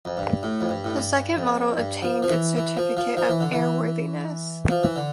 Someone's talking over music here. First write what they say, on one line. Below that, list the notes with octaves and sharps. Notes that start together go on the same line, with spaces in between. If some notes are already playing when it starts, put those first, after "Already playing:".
This second model obtained its certificate of airworthiness.
F2
G2
A2
F2
G2
A2
G2
F2
G2
F3
F3
E3
E3
F3
F3
F3
E3
D3
E3
F3
E3
D3